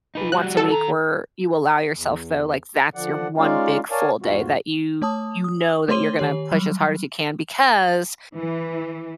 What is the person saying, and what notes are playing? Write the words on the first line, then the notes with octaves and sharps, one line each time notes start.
once a week where you allow yourself though, like that's your one big full day that you you know that you're gonna push as hard as you can because
D#4 B4
G3 F#4 F#6
A4
D#3 A#5
E2
D3 F3 D5 F#5
G#3 C#4 D#4 F4 D5 F5
A#4 C#5 D5 F5 G#5 A5
E2 G#2 F4 F#4
A3 C#5 A5 D#6
D#6
A3 C5 C#5 C6 D#7 G7
D#3 G4 C#5
F#3 G3
E3